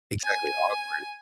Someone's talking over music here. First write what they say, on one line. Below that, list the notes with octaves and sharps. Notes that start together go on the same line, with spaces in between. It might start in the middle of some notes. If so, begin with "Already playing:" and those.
exactly, awkward.
G#5